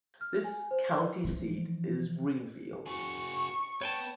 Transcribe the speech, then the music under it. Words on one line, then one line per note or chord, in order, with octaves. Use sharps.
The county seat is Greenfield.
F6
G#5
C5
E3 F3
F#4 G#4 C#6
B3 B4 C#5 G5 A5